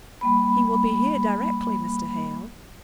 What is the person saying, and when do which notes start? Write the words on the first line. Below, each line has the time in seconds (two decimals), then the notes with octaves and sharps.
He will be here directly, Mr. Hale.
0.21 G3 A#3 B5